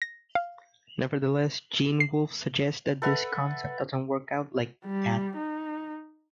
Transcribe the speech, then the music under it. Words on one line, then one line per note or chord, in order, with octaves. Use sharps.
Nevertheless, Gene Wolfe suggests that this concept doesn't work out like that.
A#6
F5
C7
A4 B4 E5 F#5
G3
D#4